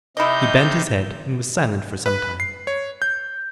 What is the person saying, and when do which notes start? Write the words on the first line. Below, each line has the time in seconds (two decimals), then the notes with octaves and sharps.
He bent his head and was silent for some time.
0.17 C3 D#4 E4 D#5 G6
2.06 B4
2.40 C7
2.67 C#5
3.02 G6